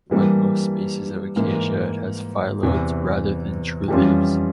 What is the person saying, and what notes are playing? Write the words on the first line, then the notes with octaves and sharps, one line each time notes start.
Like most species of "Acacia" it has phyllodes rather than true leaves.
G2 E3 G3 A#3
G#2 E3 A#3
E2 C3 E3
F2 E3 G3 C#4 F4